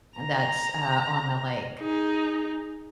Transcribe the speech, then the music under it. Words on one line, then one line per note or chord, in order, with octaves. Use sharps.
that's, uh, on the lake.
A#5
D#4 G#4